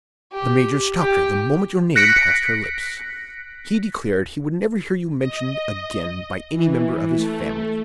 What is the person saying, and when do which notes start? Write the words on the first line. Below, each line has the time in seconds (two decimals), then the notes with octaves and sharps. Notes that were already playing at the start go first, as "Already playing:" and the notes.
The major stopped her the moment your name passed her lips: he declared he would never hear you mentioned again by any member of his family.
0.32 G4
0.99 G4
1.96 F#6 A#6 B6 C#7 D7
5.19 D#5
6.53 E3
7.15 A3